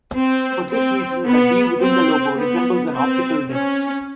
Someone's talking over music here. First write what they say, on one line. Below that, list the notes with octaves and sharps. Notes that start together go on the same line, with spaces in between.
For this reason the "D" within the logo resembles an optical disc.
C4
C4
B3
C4
B3
C4
C#4